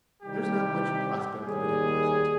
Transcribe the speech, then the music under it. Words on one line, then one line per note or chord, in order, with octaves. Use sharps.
There is not much prospect of it at present.
C2 C3 D#3 G3 G4
D#2 D#3 G3 G#4